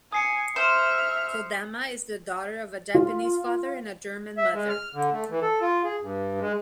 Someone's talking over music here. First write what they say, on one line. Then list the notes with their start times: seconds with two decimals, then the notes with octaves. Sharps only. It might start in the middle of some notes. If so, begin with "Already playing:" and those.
Kodama is the daughter of a Japanese father and a German mother.
0.12 G#5 D#6 C7 C#7
0.56 C5 E5 F6
2.94 F4
4.38 E5
4.54 G#3
4.69 F6
4.94 D3
5.12 A3
5.30 E3
5.42 A4
5.61 F4
5.84 G#4
6.02 G2
6.40 G#3